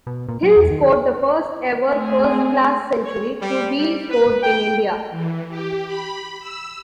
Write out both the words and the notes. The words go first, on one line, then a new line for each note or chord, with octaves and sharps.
Hill scored the first-ever first-class century to be scored in India.
B2
A#2
F#3
E2
D#3
A3 C4 G#4
C#5
G3
G3
B4
G5
E3
G4
B5
E6